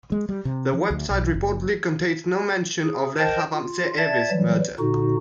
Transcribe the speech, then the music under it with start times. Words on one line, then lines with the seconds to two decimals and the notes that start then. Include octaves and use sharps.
The website reportedly contains no mention of Rehavam Ze'evi's murder.
0.12 G#3
0.29 G3
0.45 C3
0.73 F3
0.90 D2
1.10 B1
1.34 F#1
2.83 G#4
3.18 A#4 C5 D#5 G5 A5
3.52 F4
3.98 D5 E5 A5 G#6 A6
4.31 E3 F#3 G3
4.79 A#2 D3 D#4 F#4